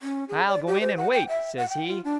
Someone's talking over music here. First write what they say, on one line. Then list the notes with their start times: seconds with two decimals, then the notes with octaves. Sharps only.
'I'll go in and wait,' says he.
0.01 C#4
0.29 G#4
0.48 D5
0.67 G4
0.81 C5
0.97 F#5
1.13 G5
1.29 E5
1.57 F#5
1.69 G5
1.88 F4
2.04 D4